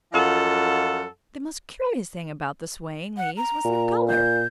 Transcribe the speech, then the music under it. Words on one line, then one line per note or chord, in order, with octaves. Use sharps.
But the most curious thing about the swaying leaves was their color.
F#2 F3 F4 A4 D#5 F#5
F#5
A#5
A#2
G6